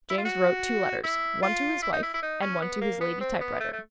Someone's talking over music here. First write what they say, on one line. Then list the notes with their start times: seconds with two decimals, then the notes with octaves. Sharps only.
James wrote two letters, one to his wife and one to his lady typewriter.
0.10 E4
0.18 F4
0.25 F#4
1.04 E4
1.43 F4
1.82 E4
1.93 D#4
2.03 E4
2.14 E4
2.22 D#4
2.42 C#4
2.62 B3
2.82 A#3
3.01 B3
3.21 C4
3.41 B3
3.60 A3
3.73 A3